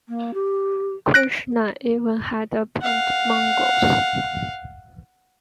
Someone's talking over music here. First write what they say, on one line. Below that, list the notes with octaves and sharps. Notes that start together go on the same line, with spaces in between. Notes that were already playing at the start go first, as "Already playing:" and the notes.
Krishnan even had a pet mongoose.
A#3
G4
F#6 A#6 D7
F5 F#5